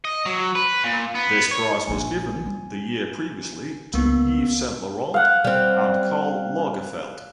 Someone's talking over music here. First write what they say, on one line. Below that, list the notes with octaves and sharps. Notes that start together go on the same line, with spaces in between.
This prize was given the year previously to Yves Saint Laurent and Karl Lagerfeld.
D#5
F#3
B4
A#2
B3
C#5
A#1 A#3 G#5
G3 C4
C#2 A#3 B3
F5 F#5
G3 C4